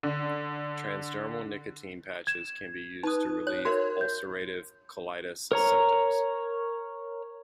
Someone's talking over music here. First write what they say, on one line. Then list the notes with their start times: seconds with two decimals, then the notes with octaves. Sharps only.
Transdermal nicotine patches can be used to relieve ulcerative colitis symptoms.
0.03 D3
2.27 G#6 E7
3.03 D#4 B4 D#6
3.47 C#5 F#6
3.65 F#4 A#4 C#5 E5
4.01 G6
5.52 A#4 C#5 A#5